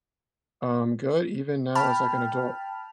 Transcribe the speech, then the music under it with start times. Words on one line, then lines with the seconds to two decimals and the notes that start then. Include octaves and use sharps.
um, good even now as, like, an adult."
1.75 G5 A5 B5 F6